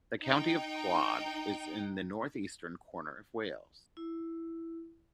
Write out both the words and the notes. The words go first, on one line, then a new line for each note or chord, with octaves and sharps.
The county of Clwyd is in the northeastern corner of Wales.
D#4 G5
E4